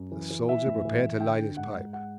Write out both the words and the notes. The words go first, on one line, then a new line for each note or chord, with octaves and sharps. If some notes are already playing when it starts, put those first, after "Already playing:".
The soldier prepared to light his pipe.
Already playing: F#2
E3
E3
E3 E5
A2
E3
E3
D3 G5
D3
G#2 F#5
G#2
F#5